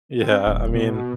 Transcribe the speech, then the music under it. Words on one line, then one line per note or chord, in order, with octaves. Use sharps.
Yeah, I mean,
C4
D#1
B2